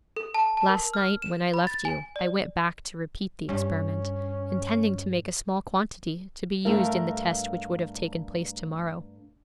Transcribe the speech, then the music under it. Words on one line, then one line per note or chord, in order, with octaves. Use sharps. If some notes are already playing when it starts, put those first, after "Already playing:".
Last night, when I left you, I went back to repeat the experiment, intending to make a small quantity to be used in the test which would have taken place to-morrow.
A4
A5
A5
A#4
F6
E7
B5
A6
G#5
D5
G2 C#4
G2 A3 A#4 F5